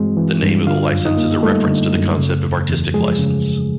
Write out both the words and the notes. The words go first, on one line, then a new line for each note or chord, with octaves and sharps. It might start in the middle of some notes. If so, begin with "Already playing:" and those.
The name of the license is a reference to the concept of artistic license.
Already playing: G2 E3 G#3 C4 F#4
E3
G2
D3 F4 F5
F#2
D#4 D#5
A#3
G3 A3 A4
D3
F#2
C#3
E2
E2
F3 G#3 G#4
C#3